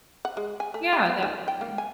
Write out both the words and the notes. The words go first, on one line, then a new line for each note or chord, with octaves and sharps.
Yeah, definitely.
F#5
G#3
G#5
A3
G4
B3
D#3
G5
A#3
G#5